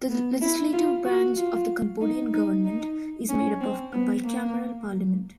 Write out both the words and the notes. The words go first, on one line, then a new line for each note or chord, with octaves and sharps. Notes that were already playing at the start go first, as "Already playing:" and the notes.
The legislative branch of the Cambodian government is made up of a bicameral parliament.
B3
E4
F4
F#4
F4
D#4
D#4
D#4
C#4
C4
B3
A#3